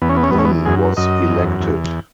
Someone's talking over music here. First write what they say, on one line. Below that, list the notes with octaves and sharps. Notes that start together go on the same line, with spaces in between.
None was elected.
E2 B3
C#4
B3
C#4
B3
E2 C#4
B3
F#2 G#4
F#2 D#5
E2
E2